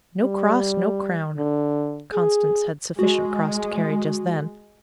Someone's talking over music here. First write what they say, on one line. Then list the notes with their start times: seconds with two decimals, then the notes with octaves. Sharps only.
"No cross, no crown!" Constance had sufficient cross to carry just then.
0.21 G3
1.37 D3
2.13 G#4
2.99 G#3 F#4